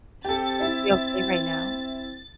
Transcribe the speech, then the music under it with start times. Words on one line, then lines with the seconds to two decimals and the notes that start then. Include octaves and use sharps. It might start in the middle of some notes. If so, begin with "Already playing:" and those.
Is she okay right now?
0.25 C4 G4 A4 A6
0.61 E4